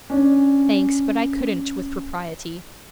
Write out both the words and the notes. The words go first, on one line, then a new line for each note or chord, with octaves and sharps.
'Thanks, but I couldn't with propriety.
C#4 D4